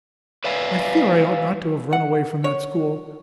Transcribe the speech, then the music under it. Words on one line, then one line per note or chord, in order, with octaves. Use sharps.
I fear I ought not to have run away from that school!
B4 C#5 D5 E5 F5 G#5
F#5
C#5